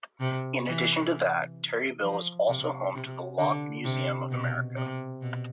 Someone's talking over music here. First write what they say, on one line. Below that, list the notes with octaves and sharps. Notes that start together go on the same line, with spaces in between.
In addition to that, Terryville is also home to the Lock Museum of America.
C3
E3
F3
C3
C3
D3
C3
B2
C3
B2